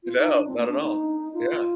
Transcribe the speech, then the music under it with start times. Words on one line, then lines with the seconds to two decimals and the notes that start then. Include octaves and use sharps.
No. Not at all. Yeah.
0.04 F4
0.18 D#4
0.32 D4
0.47 C4
0.58 A#3
0.69 D4
0.80 D#4
1.34 F4